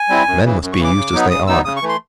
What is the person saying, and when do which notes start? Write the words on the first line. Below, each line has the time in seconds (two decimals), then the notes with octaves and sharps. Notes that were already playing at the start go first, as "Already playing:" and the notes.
Men must be used as they are.
Already playing: G#5
0.09 G3 C4 E4
0.26 F#2
0.43 C#3 E3
0.61 F#2
0.73 C#6
0.78 C#3 E3
0.84 D6
0.96 C#3
1.13 F#3 B3 D#4
1.30 C#3 D#6
1.47 F#3 B3 D#4 E6
1.65 C#3 D#6
1.76 C#6
1.82 E3 A3
1.89 C6